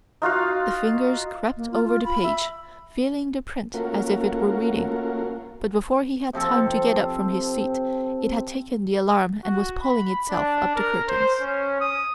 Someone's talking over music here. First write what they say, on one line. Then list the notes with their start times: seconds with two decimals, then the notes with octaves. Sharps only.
The fingers crept over the page, feeling the print as if it were reading; but before he had time to get up from his seat, it had taken the alarm and was pulling itself up the curtains.
0.22 D#4 F4 F#4 F5
1.57 A#3
1.72 F4
1.85 F4
2.05 B5
2.23 E5
3.74 A3 A#3 C#4 F4 F#4 A#4
6.33 C3 F3 C4 A4
9.44 F#4
9.83 B5
10.30 D4
10.76 A#4
11.08 C5
11.41 C#4
11.80 D#6